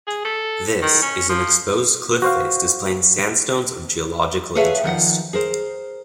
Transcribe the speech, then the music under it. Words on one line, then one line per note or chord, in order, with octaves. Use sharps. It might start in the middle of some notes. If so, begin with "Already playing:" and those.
This is an exposed cliff face displaying sandstones of geological interest.
G#4
A4
D#3
C#4
F3
F#4 C5 F5
G#4 A4 B4 C#5 E5 F5
D#3 F3 F#5
G#4 A#4 C5